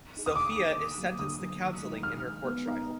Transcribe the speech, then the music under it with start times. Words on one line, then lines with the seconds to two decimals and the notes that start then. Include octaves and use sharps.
Sophia is sentenced to counselling in her court trial.
0.14 A#3 D#4 G#4
0.26 D#6
0.35 D#3 D6
0.56 A#3 D#4 G#4
0.77 D3
0.98 F#3 A#3
1.19 D3 D#6
1.40 F#3 A#3
1.61 D#3
1.82 G#3 D#4
2.03 D#3 F6
2.24 G#3 D#4
2.45 B3
2.66 D#4 A#4